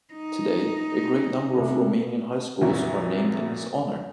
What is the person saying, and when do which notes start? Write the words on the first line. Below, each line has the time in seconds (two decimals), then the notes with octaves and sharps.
Today a great number of Romanian highschools are named in his honour.
0.14 D#4
1.56 C3 A3
2.61 F#1 F2 A#2 F#3 E4 F#4